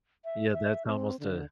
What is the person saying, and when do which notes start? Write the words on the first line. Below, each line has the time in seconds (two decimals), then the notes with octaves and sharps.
Yeah, that's almost a
0.25 E5
0.53 E5
0.86 C4
1.20 D3